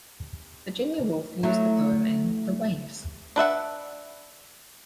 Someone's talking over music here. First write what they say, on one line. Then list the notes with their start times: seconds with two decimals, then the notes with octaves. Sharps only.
Virginia Woolf used the poem in "The Waves".
1.43 F#3 A3 E4
3.36 D4 B4 E5 F#5